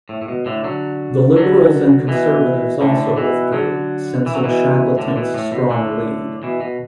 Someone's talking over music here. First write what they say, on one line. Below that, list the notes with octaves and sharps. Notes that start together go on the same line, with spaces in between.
The Liberals and Conservatives also withdrew, sensing Shackleton's strong lead.
A2
A2
B2
A2 D3
D3 F#3
D3 F#3
B2 E3
A2 D3
B2 E3
D3 F#3
E3
F#3
B2 E3
A2 D3
D3
B2 E3
A2
B2
A2 D3
B2 E3
B2